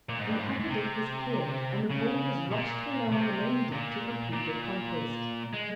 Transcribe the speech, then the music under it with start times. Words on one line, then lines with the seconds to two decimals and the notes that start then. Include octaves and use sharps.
The upper deck was cleared, and the boarders rushed below on the main deck to complete their conquest.
0.09 A#2
0.19 G#2
0.29 G2
0.39 G#2
0.49 G#2
0.60 G#2
0.69 C3
1.91 C#3
2.51 A#2
3.12 C3
3.72 A#2
4.33 A#2
5.54 G#3